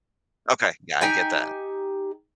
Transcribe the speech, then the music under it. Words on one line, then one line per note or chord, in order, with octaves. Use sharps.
Okay. Yeah, I get that.
D#4 G4 G5 G#5